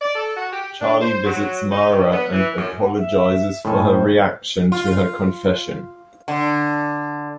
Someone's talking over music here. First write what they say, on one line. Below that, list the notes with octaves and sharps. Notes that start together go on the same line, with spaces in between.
Charlie visits Mara and apologizes for her reaction to her confession.
D5
A4
F#4
G4
D4
C5
F#3
D#4
G2
B3
E3
F#2
F#5
E5
A2 D#3 A4 G#5
C5
F4
D3